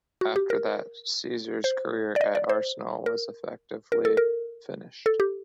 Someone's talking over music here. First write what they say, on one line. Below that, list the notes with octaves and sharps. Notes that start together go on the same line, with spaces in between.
After that, Caesar's career at Arsenal was effectively finished.
F#4
G4
A#4
C5
D5
D#5
D5
C5
A#4
A#4
A4
A#4
A4
G4